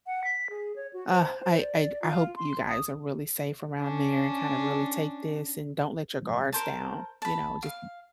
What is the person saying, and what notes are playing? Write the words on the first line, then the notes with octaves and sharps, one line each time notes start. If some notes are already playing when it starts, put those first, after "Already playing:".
Ah, I I I hope you guys are really safe around there and kinda really take this, and don't let your guards down, you know? Just
F#5
B6
G#4
C#5
F#4
C5
C5
D5
F4
C6
D#6
C#4 D4
A#4 C5 A5
A5 B5
F5